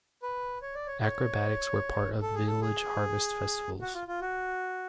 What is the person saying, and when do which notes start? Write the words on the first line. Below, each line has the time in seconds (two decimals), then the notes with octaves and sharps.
Acrobatics were part of village harvest festivals.
0.22 B4
0.62 C#5
0.75 D5
0.87 C#5
1.02 C#5
2.22 A4
2.35 G#4
2.47 A4
2.62 G#4
3.81 F#4
3.94 F4
4.08 F4
4.21 F#4